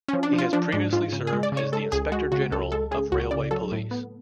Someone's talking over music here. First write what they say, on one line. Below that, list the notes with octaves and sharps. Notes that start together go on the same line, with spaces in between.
He has previously served as the Inspector General of Railway Police.
F3 C#4
D4
F3
F4
F3 D4
G#2 D4
G#2 F4
C#3
G#4
G#3
D5
C#3
C#5
G#3 A4
C#2 G#4
G#3 F#4
C#3 F#4
C#2 A4
G#3 A4
C#3 G#4
C#2 F#4
C#3 D5
F#3 A4
A2
B3